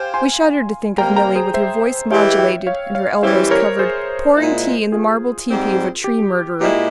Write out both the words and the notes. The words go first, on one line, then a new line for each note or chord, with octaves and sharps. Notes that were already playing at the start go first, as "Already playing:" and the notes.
We shuddered to think of Milly, with her voice modulated and her elbows covered, pouring tea in the marble teepee of a tree murderer.
Already playing: G4 C5 F5 G#5
G#5 C6
C3 G3 A#3 G5 A#5
G5 A#5
G#4 C5
C5 E5
E3 G#3 E4 G4 C#5 F5
E5 G5
C#5 F5
C#5 F5
E3 G3 C#4 E4 G4 C5 E5
A#4 C#5
G#4 C5
A#2 G#3 E4
F4 G#4
G#2 G3 C4
G4
A#2 G#3 E4 G4